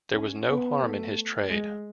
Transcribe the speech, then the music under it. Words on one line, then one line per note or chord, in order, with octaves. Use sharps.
There was no harm in his trade.
C#4
B3
A3
G#3